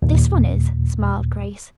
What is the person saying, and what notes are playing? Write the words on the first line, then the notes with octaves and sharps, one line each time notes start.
"This one is," smiled Grace.
D#2 A#2